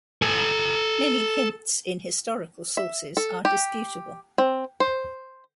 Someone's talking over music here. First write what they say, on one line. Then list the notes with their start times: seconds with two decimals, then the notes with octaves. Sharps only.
Many hints in historical sources are disputable.
0.22 A4 G#5
2.77 E5
3.17 A4
3.45 G4
4.38 C4
4.80 C5